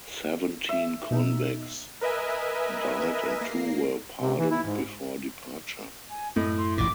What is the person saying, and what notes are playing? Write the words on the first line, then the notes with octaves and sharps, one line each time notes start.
Seventeen convicts died and two were pardoned before departure.
E5
B2 D#4
A#4 B4 D#5 E5 G#5
A#3 A#6 C7
C3
E3
E4
G#2
G#5
F#2 A2 E4 D#5
C6
A1 A#2 D6